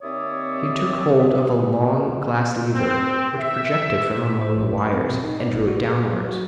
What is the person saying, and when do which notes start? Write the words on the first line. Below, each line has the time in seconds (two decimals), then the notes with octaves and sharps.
He took hold of a long glass lever which projected from among the wires, and drew it downwards.
0.01 D#2 C4 C#5 D5 E5 D#6
2.74 C4
3.39 E5
4.41 C5
4.56 A#1
4.78 B5
4.93 C4
5.10 B2
5.24 D#4
5.40 D5
5.53 G1
5.68 F#4
5.84 G#4
6.13 F#3
6.29 F#4